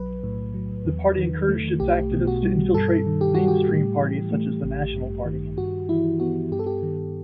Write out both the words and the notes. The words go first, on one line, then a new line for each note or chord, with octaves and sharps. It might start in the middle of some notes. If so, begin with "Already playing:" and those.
The party encouraged its activists to infiltrate mainstream parties such as the National Party.
Already playing: B1 F#3 B4
A2
F#3
E2
D#3
A3
B1 G4
B2
F#4
G3
G2 A4
D#3
G4
G3 F#4
G4
A2
E3
A3
A1
G2
D#3
G2 F#4
E3 E4
B3 F#4
G2 G4
A4
G4
D#3